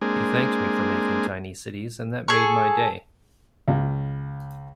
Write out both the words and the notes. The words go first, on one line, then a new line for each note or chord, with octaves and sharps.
He thanked me for making Tiny Cities, and that made my day!
G#3 A#3 C4 D4 G#4
G#4 A4 C#6
C#2 C#3